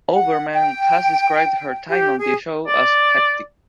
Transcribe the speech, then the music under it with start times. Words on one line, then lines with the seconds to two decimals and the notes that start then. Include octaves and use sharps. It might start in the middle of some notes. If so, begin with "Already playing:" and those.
Oberman has described her time on the show as "hectic".
0.14 F#5
0.53 G5
1.90 G4
2.19 G#4
2.67 D5